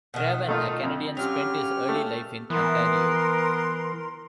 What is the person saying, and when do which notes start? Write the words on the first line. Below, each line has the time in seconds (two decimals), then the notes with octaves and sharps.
Craven, a Canadian, spent his early life in Ontario.
0.14 B2 D#3
0.48 A3 D#4 F4
0.83 F2
1.17 F#3 C#4 F4 G4 F6
1.89 A3
2.50 E3 B3 A#4 C6